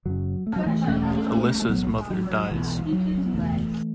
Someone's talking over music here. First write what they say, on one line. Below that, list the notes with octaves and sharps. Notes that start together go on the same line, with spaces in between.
Alicia's mother dies.
F#1 F#2 C#3 F#3
A3
F#3
E3 A3
E1 E2 B2 A3 C#4
A3
B1 A2 F#3 B3
F#3
F#3
B1 B2 E3
F#3
C#4
B3
F#1 E2 B2 E3 A3